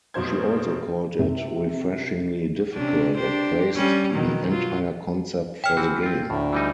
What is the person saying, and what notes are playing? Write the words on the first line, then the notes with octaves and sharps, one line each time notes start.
She also called it "refreshingly difficult" and praised the entire concept for the game.
F1 B2 F#3 C5 G#6
C3
C3 C#4 D4
D4 G4 C5
G3 C#4
B2 D#3 F#3
F#3 F4
C#5 E5 G5 F6
E3 C4 F#4
C4 F4
D2 A2
E3 G3 D#4